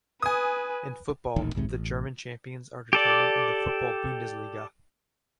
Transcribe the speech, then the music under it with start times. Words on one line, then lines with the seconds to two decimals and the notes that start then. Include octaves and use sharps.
In football, the German champions are determined in the football Bundesliga.
0.22 B4 G#5 D#6
1.36 D#1 A1 D#3
1.55 A#1 D#2 G#2 C3
1.69 A1
2.93 G4 A4 D5